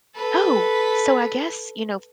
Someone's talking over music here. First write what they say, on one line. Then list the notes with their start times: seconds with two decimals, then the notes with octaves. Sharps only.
oh, so I guess, you know,
0.15 A4 B4